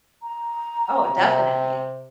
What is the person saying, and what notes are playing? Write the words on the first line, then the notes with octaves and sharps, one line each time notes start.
Oh, definitely.
A#5
C3